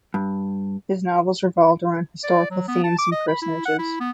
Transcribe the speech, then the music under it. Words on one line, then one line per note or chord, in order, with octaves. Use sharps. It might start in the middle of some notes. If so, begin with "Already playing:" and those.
His novels revolved around Historical themes and personages.
G2
D5
F#3
B3
A5
D6
D#5
B5
E4
F#5
E4
B3